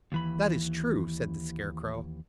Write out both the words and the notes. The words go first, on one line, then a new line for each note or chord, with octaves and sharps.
"That is true," said the Scarecrow.
D#2 E3 B5